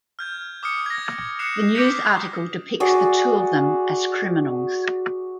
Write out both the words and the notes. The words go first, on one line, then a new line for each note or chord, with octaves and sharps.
The news article depicts the two of them as criminals.
F6 G6 G#6
D6 D#6 F6 C#7
G#6 A#6
G#6
D#6 F#6 C7 C#7 E7 F7
D6 F6 G6 A#6 B6 C#7
F#4 G#4 D5 F#5